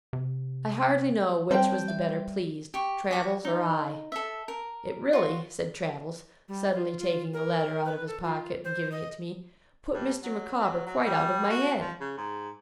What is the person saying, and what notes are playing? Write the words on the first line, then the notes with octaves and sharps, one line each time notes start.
I hardly know which was the better pleased, Traddles or I. 'It really,' said Traddles, suddenly, taking a letter out of his pocket, and giving it to me, 'put Mr. Micawber quite out of my head!'
C3
G3 C4 C5 C#5 G5 A5
E5
G4 C#6
F#4 G#5 D6
D#4
A4 E5
A#4
F4 F#4
G3
F4
F4
A#4
B4
A4
F4
C5
D#5
G2
F#3
F#3
F#3
G3
F#4
F3
C#3
G#2